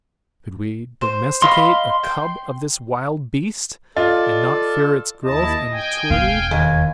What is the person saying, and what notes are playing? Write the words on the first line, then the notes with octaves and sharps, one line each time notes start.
Could we domesticate a cub of this wild beast, and not fear its growth and maturity?
C5
D#5 F5 B5 C6
G5
F4 A4 D5 D#5
D#2 E4 D#5 A5
G5 G#5
E1 F5
D#2 G#5